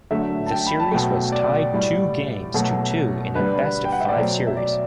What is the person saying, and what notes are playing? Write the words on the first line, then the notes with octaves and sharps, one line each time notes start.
The series was tied two games to two in a best-of-five series.
D3 F#3 A3 E5
A5
G5
B5
A5
B2 F#3 A3 G5
D5
A2 G3
B2 F#3 A3
D3 G3 B4
G5
F#5
E5
D5
B2 F#3 A3 C5
E5
D5